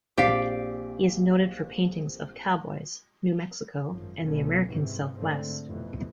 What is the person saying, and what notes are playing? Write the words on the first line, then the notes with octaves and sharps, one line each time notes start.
He is noted for paintings of cowboys, New Mexico, and the American Southwest.
A#1 C4 G4 D5 F5 B6
G#1 F#2 F3
F#1 B1 B2 A3 B3 C#4
G#2 C3 E3 C4 C#4
G#2 D3 A3 C4
F1 F2 B2 E3